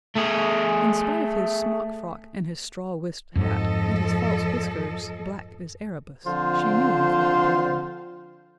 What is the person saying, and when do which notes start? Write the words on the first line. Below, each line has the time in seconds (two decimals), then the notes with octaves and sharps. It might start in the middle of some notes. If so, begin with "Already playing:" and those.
In spite of his smock-frock and his straw-wisped hat, and his false whiskers, black as Erebus, she knew him for her brother.
0.16 A3 G#4
3.35 F2 G#2 F3 F#3 A4 D#5
6.26 D3 F3 C4 F4 C5 C6